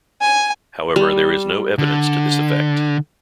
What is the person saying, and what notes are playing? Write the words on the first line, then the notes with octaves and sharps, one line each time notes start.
However, there is no evidence to this effect.
G#5
G3
D3